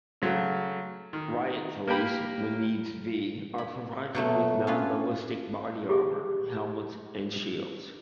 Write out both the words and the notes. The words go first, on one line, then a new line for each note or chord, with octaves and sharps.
Riot police, when needs be, are provided with non-ballistic body armour, helmets and shields.
C#3 F#3 A3
D#3
A#3 G4 A#4 G5 B5
B5
B2 F#3 A3
C#4 D4 F4 B4
G4 G#4